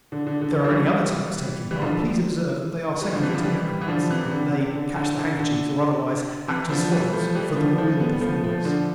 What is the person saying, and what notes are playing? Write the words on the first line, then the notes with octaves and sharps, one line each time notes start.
If there are any other types taking part please observe that they are secondary to the acrobats--they catch the handkerchiefs or otherwise act as foils for the real performers.
D3
D3
D3
D3
F3
E3 G3
E3 G3
D3 F3
D3
E3 G3
D3 F3
C3 E3
D3 F3
E3 G3
E3
D3 F3
C3 E3
C3
D3
C3
D3
D3
D3
D3
C3 E3
D3 F3
F3
E3 G3
F3 A3
E3 G3
D3 F3
F3 A3
G3 B3
F3 A3
F3 A3
D3 F3